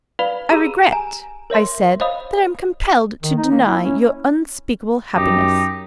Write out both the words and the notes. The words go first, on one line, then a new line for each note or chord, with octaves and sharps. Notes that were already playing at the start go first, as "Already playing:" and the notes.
'I regret,' I said, 'that I am compelled to deny you unspeakable happiness.'
B4 D5 F5 B5 F7
G4 G#4 A#5 B5 E6 D#7
G#5 A#5
A#4 C#5 E5 C6
C5 C#5 D#5 F5 B5 D#6
D#3
D#4
A#3
E4
C#4
F#2 D#4 G4